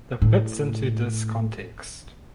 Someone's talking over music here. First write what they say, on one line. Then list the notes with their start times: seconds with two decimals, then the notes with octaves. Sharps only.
The fits into this context.
0.22 A2